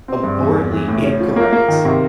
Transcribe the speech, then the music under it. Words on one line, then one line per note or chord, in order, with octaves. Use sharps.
abhorrently incorrect
C4
G2
E2
E2
E3
A2
C#4
F3
A#3
A#3
D#3
C3